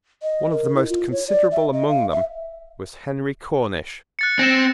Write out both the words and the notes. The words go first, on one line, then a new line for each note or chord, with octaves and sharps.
One of the most considerable among them was Henry Cornish.
D#5
A#4
E4
F4
C#5
D5
E5
D#5
F5
E5
F#6 A6 C#7
C4 A#6 C#7 E7